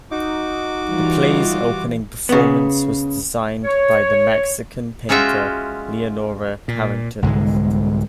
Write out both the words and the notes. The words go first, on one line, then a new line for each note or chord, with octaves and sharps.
The play's opening performance was designed by the Mexican painter Leonora Carrington.
D#4 F#4 D6
E3 G3 F4
C#3 B3
C#5
G#3 C#4 F4 F#4 E5 G5
A#2
C2 G#2 D3 G#3